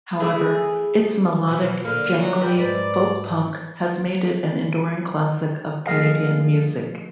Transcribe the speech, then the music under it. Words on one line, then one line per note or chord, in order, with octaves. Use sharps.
However, its melodic, jangly folk-punk has made it an enduring classic of Canadian music.
A3 E4 G#4
B2 F3
D3 A#3 F5
F#3
G3 B4
G#2 B4 C5 D5
F3 A3 G#4 A#4 D#5 F5